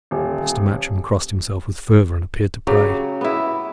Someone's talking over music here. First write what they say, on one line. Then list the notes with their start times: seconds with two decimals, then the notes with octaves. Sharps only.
Master Matcham crossed himself with fervour, and appeared to pray.
0.11 D#1
2.67 C#3 F#3 G4
3.21 B3 E4